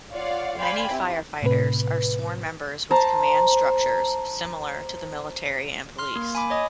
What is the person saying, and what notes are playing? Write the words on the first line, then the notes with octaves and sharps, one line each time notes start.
Many firefighters are sworn members with command structures similar to the military and police.
F4 C#5 D5 F5 F#5
C5 D5 F5 G5 G#5 B5
C4 E4 G4
A2 C3 B4
C5 A5 A#5
C6 F6
A#3
G#5 B5 D6
C#5 D#5 D#6